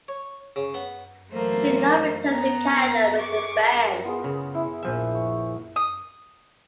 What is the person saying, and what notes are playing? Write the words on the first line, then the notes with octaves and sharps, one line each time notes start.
He did not return to Canada with the band.
C#5
C#3
B3
E3 F#3 A3 A#3 C5
B3 A#5
G#4 C#6 D6
B3 F4 G#4
C#3
E4
A#1 F3 E5 G#5
C#6
D#6